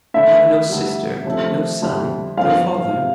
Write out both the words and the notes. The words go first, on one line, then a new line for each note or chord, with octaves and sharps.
"You have no sister--no son--no father?"
D3 A3 E4 E5
D2 D3 G3
C3 F3 A3
F2 D3 G3 D4
G2 F3 B3 F4 F5
C3 E3